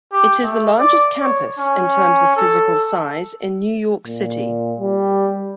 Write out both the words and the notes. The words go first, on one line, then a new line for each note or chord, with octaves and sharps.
It is the largest campus, in terms of physical size, in New York City.
G4
A3
D5
C#5
C#4
A4
A#2
G3